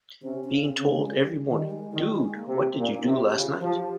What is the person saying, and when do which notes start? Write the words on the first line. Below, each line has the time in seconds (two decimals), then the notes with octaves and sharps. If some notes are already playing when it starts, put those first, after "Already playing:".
Being told every morning, Dude, what did you do last night?
0.22 C3 C#4
0.44 C#4
0.50 C#3
0.65 C4
0.79 C#3
0.86 G#3
1.07 G3
1.49 D#3 G3
1.71 G#3
1.92 D#3 G3
2.14 G#3
2.35 A#3
2.48 C3
2.55 C4
2.77 A#2 C#4
2.98 D#4
3.05 C3
3.19 G4
3.33 C#3
3.40 F4
3.61 F3 G4